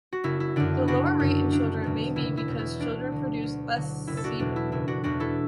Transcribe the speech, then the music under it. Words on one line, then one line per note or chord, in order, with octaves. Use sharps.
The lower rate in children may be because children produce less sebum.
F#4
F#1 E4
E4
F#2 D3 D4
F#1 D4 F#4
F#2 D3
F#1 D4
E2 B2 F#3
F#1 E4
E4
E2 B2 F#3
E4
D2 D4
D3 F#3
D2
D3 F#3
F#1 E4
A4
D4 F#4
E2 B2 F#3 D4
E4
F#1 E4
D4 F#4
E2 B2 F#3 D4 F#4
E4 A4